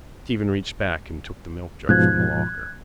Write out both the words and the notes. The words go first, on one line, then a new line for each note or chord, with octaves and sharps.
Stephen reached back and took the milkjug from the locker.
G#2 B2 F3 F#6 G#6